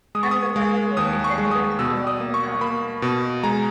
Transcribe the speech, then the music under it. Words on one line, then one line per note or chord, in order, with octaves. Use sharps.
Kandabarovo is the nearest rural locality.
G#3 D#6
C#6
D#6
G#3
D#2 D#6
C#6
G#3
D#6
B2 E6
D#6
A#3
C#6
A#3 B5
B2
G#3 A#5